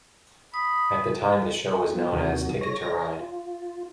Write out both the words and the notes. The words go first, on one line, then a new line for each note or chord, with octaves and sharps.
At the time the show was known as Ticket To Ride.
B5 D#6
F3 F#3 B3 F4
D#2 C3 D#3 F#3 F#4
C#5 A#6
F4